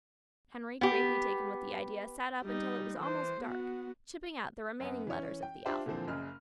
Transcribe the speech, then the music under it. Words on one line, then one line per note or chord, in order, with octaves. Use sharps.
Henry, greatly taken with the idea, sat up until it was almost dark, chipping out the remaining letters of the alphabet.
B3 G4
G3 D#4
E3 C5
B3 F#4
F#2 B3
E3 C#4
G5
D4 F4 G4 C5 D5 E5
A#2 D3 E3 F3 C4
F#1 F#2 C#3 F6